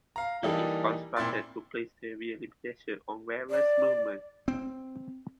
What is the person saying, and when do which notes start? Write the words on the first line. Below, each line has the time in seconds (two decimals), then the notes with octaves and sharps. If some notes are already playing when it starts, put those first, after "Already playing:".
It is constructed to place severe limitations on the wearer's movements.
0.16 F5 A#5
0.43 E3 G3 A#3 D#4 G4 A4
1.17 A#2 C4 E4 C6 A6
3.51 D5
4.48 C4